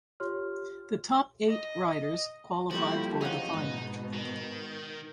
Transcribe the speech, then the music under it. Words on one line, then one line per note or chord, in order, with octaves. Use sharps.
The top eight riders qualified for the final.
F4 G4 C#5 C6 F6
D#5
F3 G3 A3 A#3 E4 F#4 G4
F3 C#4 D#4 G#4 F5 F#5
G#2 B2 B3
D#3